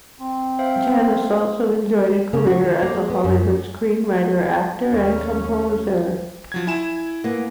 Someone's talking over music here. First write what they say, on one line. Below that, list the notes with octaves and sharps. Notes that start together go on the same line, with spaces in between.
Janis also enjoyed a career as a Hollywood screenwriter, actor, and composer.
C4
C5 E5 F5
C#3
F#4
D#3
A#3
G#3
B3
F#2
D#2 C#4
F3 F#3 G#6
E4 G#5 E7
A#3 B3